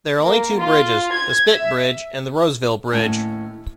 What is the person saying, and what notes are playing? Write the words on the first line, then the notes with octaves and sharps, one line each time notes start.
There are only two bridges - the Spit Bridge and the Roseville Bridge.
A#3
F4
G#6
E5
D#2 A2 C#4 A5